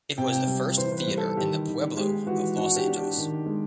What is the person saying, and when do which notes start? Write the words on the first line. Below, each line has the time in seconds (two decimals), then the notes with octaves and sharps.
It was the first theater in the Pueblo of Los Angeles.
0.18 C3 G5
0.33 G5
0.47 G3
0.78 E3 C5
0.92 C5
0.97 B4
1.07 G3
1.18 A4
1.37 D#3 G4
1.67 D#3
1.97 G#3 G4
2.26 E3 F#4
2.57 D4 F#4
2.76 G4
2.87 D4
2.97 G4
3.17 D#3
3.46 G#3